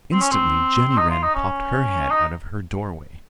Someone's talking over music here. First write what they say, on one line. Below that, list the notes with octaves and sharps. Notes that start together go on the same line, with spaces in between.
Instantly Jenny Wren popped her head out of her doorway.
C4
C#4
C4
D#4
F4
D#4
C#4
D#4